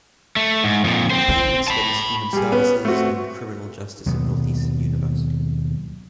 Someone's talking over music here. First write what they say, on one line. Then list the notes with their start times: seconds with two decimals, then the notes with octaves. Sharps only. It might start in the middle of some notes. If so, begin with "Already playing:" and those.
Fontaine studies human services and criminal justice at Northeastern University.
0.37 A3
0.64 G#2
0.84 F2 A#2
1.10 C4 C5
1.68 A5 B5
2.33 G3 G#4
2.51 B3 C#4
2.85 A3 C4 F#4
4.06 D#2 B2 F#3 B3